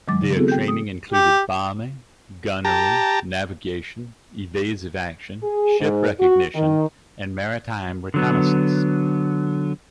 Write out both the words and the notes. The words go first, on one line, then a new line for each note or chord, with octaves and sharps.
Their training included bombing, gunnery, navigation, evasive action, ship recognition and maritime reconnaissance.
D#3 F#3 G#3 D6 A6
C#3
B3 C4 E4 F#4 G#4 A4
G5 G6
D#6
G4
G4 A5 A#5
G#4
G#2
F#4
D#3
D3 F#3 B3